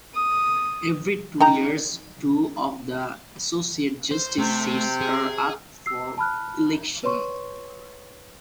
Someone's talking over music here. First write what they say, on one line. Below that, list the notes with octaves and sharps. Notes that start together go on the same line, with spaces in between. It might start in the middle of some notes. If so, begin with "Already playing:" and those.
Every two years, two of the associate justice seats are up for election.
D#6
D#4 G5 A#5
C5
C3 A3
G#4
E6 C7
A5 B5 F6 F#6
B4 C#5 C6 C#6